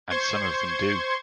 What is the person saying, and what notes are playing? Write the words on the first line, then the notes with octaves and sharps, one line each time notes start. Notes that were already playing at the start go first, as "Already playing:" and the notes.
And some of them do.
C5 C6 C#6 G#6